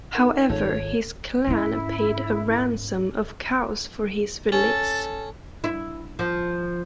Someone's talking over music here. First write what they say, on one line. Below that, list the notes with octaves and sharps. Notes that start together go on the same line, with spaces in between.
However his clan paid a ransom of cows for his release.
D#4 A4 A#4 F#5
G#1 G#3 F4 A4 C#5
G#2 C#4 E4
C#4 A4 A6
E4
F3